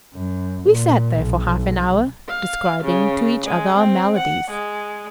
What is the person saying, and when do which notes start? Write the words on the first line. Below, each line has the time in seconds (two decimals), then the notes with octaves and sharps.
We sat there for half-an-hour, describing to each other our maladies.
0.14 F#2
0.68 A#2
1.19 B1
2.28 F5
2.83 C#3
3.46 G#3
3.77 C4
4.18 F#5
4.51 G#3